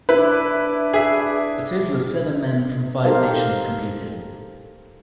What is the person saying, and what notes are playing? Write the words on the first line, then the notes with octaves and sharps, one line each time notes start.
A total of seven men from five nations competed.
D4 E4 B4
G#4 E5
D#4 G4 A4 A#4 C5 F5